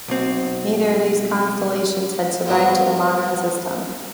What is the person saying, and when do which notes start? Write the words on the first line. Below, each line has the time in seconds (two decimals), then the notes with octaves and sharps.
Neither of these constellations has survived to the modern system.
0.08 B1 C4
2.46 G#2 F3 G3 B3 F#4